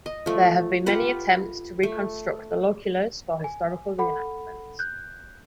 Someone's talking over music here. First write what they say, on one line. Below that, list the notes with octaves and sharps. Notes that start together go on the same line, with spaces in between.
There have been many attempts to reconstruct the loculus for historical reenactment.
D#5
F3 A3
F4 G4 B4 F#5
A3
G#5
A4 F#5 B5
F#6 G6